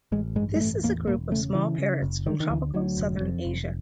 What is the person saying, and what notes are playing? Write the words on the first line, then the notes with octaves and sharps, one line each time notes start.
This is a group of small parrots from tropical southern Asia.
A1 G#3
G2 G#3
G#3
A1 A3
E2 A#3
E1 A#3
C#3 A3
C#3 E3
C#3
F#1
D3 D#3
D#3
D2 E3
D2 F#3
F1
F2
F1